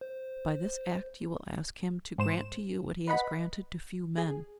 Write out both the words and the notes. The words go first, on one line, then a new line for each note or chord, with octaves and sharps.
By this act, you will ask him to grant to you what he has granted to few men.
C5
G#2 C5 E7
B4 D#5 F#5 B5
G#4